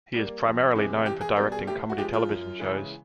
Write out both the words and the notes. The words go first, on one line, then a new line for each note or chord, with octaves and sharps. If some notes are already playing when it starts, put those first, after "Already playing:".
He is primarily known for directing comedy television shows.
G3 A#3
F2
C3 E3 G#3
E2 G4
G#4
B2 G3 A#4
G#4
A2 G4
F#4
F3 G#3 G4
F4
F#2
C#3 E3 G#3